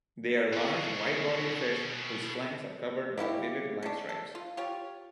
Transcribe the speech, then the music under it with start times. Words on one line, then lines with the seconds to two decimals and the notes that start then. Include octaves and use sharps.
They are large, wide-bodied fish whose flanks are covered by vivid black stripes.
0.53 B2 C#4
3.18 A#3 C#4 E4 G4
3.83 C#4 D4
4.09 A4
4.35 F4
4.57 F4 G4 C#5